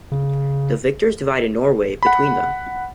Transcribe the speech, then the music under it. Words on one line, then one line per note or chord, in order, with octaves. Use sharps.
The victors divided Norway between them.
C#3
F#5 B5